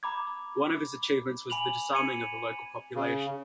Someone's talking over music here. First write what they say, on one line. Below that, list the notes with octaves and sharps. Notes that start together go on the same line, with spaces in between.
One of his achievements was the disarming of the local population.
A#5 B5 D6 G#6
G#5 B5 F7 F#7
G#6 C#7 D#7
C#3